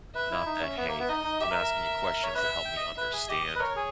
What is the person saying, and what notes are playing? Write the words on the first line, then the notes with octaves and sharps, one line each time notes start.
not that, "Hey, I'm asking you questions to help me understand"
B4 E5
E4
D#4
C#4
B3
A#3
B3
D#4 D#5
D#4
G4 E5
A#4
A#4
C#5
B4 E5
G5
D#5
B4 E5
G#4
G4 D#5
B4
A#4 C#5
G#4